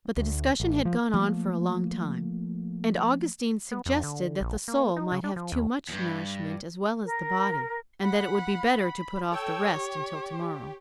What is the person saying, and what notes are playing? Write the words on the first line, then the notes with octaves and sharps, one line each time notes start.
But the discussion had gone on for a long time, and Augustine suggested that the soul might have too much nourishment as well as the body, and that it would be better to put off the rest until to-morrow.
D2
A1
F3
F3 A3 A#3
B3
F2
D3
A#1
A#3
D#4
C#3
D4
F3
D#2
E2 G2
A#4
F#5 B5
A4 C#5 G5 E6
G4